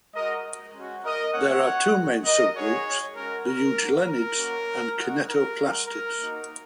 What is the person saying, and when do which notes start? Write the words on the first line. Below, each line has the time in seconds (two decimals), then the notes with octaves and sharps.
There are two main subgroups, the euglenids and kinetoplastids.
0.13 G#3 F#4 A#4 D#5
0.74 G#3 C#4 F#4
1.04 A#4 D#5
1.34 A#3 C#4 F#4 C#5 F#5
1.95 G#3 F#4
2.25 A#4 D#5
2.55 G#3 D#4 F#4 G#4 C#5
3.15 G#3 C#4 F#4 A#4
3.46 A#4
3.76 A#3 F#4
4.06 A#4
4.36 A#3 C#4 F#4
4.97 G#3 D#4 F#4
5.28 A#4
5.57 G#3 F#4
5.87 A#4
6.18 A#3 D#4 F#4